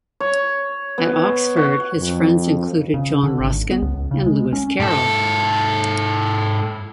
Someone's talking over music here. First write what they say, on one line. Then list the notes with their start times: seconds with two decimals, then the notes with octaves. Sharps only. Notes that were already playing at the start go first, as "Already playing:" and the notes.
At Oxford his friends included John Ruskin and Lewis Carroll.
0.20 C#5
0.98 B3
1.56 F#4
1.99 F2
2.94 C#3
3.23 D3
3.39 G#1
3.71 B3
3.82 C#2
4.11 C#3
4.26 G#3
4.53 C#4
4.80 G#2 A4